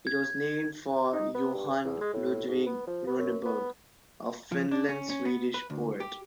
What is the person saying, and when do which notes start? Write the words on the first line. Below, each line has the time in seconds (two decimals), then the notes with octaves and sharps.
It was named for Johan Ludvig Runeberg, a Finland-Swedish poet.
0.07 G#6
1.13 D#4
1.34 B3
1.54 G2
1.85 E2
2.01 G#3
2.13 A2
2.48 G#2
2.66 B3
2.87 F3
3.07 B3
3.19 F#2
3.45 B3
4.52 F3
4.71 D4
4.89 C#4
5.10 C#4
5.25 B3
5.54 B4
5.70 D2
6.00 G4